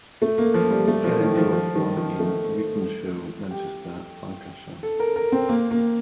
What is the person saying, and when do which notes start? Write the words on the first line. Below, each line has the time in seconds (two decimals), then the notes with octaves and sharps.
Kennedy was born in Wythenshawe, Manchester, Lancashire.
0.22 A3
0.38 A#3
0.54 F3
0.70 G3
0.87 A3
1.04 F3
1.20 D#3
1.37 F3
1.53 F3
1.75 D#3
1.97 F3
2.19 A3
3.51 G4
4.83 A4
5.00 A#4
5.16 A#4
5.32 C4
5.49 A#3
5.71 A#3